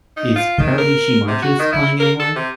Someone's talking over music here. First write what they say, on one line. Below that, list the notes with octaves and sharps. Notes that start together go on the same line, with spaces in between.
Is Proudly She Marches playing anywhere?
D#4
F4
D#3
A#4
C3
F#4
D#3
E4
A#4
A4
C3